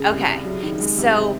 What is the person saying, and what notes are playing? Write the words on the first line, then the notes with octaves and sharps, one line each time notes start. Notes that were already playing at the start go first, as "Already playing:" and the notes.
Okay, so
Already playing: C#3
C2
C2
F#3
D#3
G#3
C3
C3